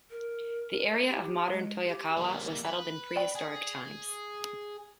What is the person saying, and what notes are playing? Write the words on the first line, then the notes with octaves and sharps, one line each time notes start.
The area of modern Toyokawa was settled in prehistoric times.
A#4
G4
G#3
G4
G3 A#3
B4
D5 G5
G#4